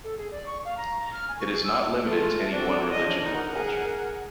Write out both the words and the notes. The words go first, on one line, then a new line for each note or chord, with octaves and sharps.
It is not limited to any one religion or culture.
A4
G#4
D5
C#6
F5
A#5
A#5
F6
G#5
C#6
G#4
E6
G#3 A3 F4 A5
C4 D4 F#4 A4 D5
F3 C#4 D4 D#5
D#4 A#4 F#5
G#4